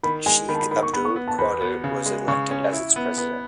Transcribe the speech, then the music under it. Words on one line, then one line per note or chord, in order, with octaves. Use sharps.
Sheikh Abdul Qadir was elected as its president.
D#3 B5
G#3 G#5
D#3 B5
A5
B5
D#3 B5
C#6
B3 B5
C#6
B3
A5
E2 B5
B3
C#3
G#3
C#3 C#6
C#4
E4
B3
B3